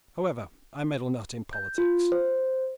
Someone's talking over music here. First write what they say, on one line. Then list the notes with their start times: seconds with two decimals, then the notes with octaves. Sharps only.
However, I meddle not in politics.
1.53 G6
1.78 F4
2.12 C5